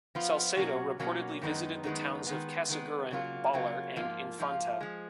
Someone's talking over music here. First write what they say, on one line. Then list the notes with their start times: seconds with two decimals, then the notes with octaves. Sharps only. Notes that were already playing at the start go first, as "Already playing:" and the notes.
Salcedo reportedly visited the towns of Casiguran, Baler and Infanta.
0.15 F3 B3 F4
0.57 B2 F#3 A#3 C#4 F#4
0.99 B2 F#3 A#3 C#4 F#4
1.42 F#2 D#3 G#3 B3 D#4
1.84 F#2 D#3 G#3 B3 D#4
2.27 D#3 G#3 B3
2.69 D#3 G#3 B3
3.11 C#3 F#3 A#3 F4
3.53 C#3 F#3 A#3 F4
3.96 G#2 F3 A#3 F4
4.38 G#2 F3 A#3 F4
4.81 F3 G#3